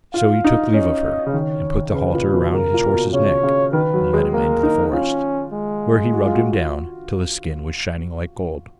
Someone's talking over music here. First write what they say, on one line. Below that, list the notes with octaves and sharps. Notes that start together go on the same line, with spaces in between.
So he took leave of her, and put the halter round his horse's neck and led him into the forest, where he rubbed him down till his skin was shining like gold.
F4 F5
D#4
C#4 D#5
C#3
D#3 C#5
C#3 B4
A#2
B2
C#3 A#4
A#2
B2
C#3 C#5
C#3
D#3 B4
F#3
G#3
A#3 A#4
D#4
C#4 F4
G#3
F#4
F4
F#4
F4